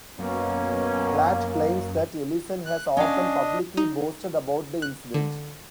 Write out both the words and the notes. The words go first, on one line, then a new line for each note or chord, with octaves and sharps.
Platt claims that Ellison has often publicly boasted about the incident.
F#2 B2 A#3 C#4
F#6
C#4 D4 D#5 F5
D#4
F#6
D3